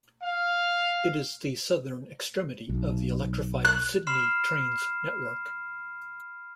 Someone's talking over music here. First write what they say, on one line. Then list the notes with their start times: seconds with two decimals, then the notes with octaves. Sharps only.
It is the southern extremity of the electrified Sydney Trains network.
0.22 F5
2.69 B1
3.65 F#6
4.07 B5 C6 F6 C7 E7